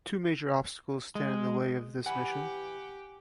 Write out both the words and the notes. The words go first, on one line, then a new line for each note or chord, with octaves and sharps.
Two major obstacles stand in the way of this mission.
G#3
E3 G4 B4 F#5 G#5